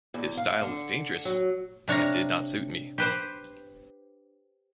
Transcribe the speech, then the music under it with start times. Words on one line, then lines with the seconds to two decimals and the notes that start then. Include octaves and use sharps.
His style was dangerous and did not suit me.
0.14 E2
0.37 F5
0.62 D3
1.25 F#3
1.88 C3 D4 C#5 F5 A#5
2.98 G4 B4 C5